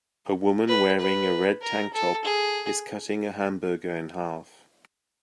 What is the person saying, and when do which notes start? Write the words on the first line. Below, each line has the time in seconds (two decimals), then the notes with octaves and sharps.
A woman wearing a red tank top is cutting a hamburger in half.
0.68 B4
0.99 B4
1.62 A#4
1.93 A4
2.24 G#4